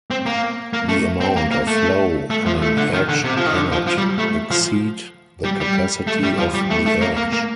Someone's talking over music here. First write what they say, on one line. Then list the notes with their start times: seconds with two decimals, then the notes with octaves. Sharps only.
The amount of flow on an edge cannot exceed the capacity of the edge.
0.11 C4
0.26 A#3
0.73 A#3
0.89 A3
1.20 C4
1.36 A#3
1.51 A#3
1.67 A3
2.30 A3
2.46 F3
2.62 A3
2.77 D3
2.93 D#3
3.09 D3
3.24 C3
3.36 F3
3.46 D#3
3.55 D3
3.72 F3
3.87 F3
3.98 G3
4.18 A3
4.51 F3
5.44 G3
5.60 G3
6.07 A3
6.23 G3
6.38 F3
6.54 G3
6.70 A3
6.86 A3
7.01 A#3
7.17 A#3
7.33 A#3